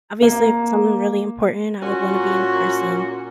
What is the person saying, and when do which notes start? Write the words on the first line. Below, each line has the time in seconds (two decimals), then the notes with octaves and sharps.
Obviously, if it's something really important, I would wanna be in person.
0.22 A#3
1.82 A#2 A#3 C#4 F#4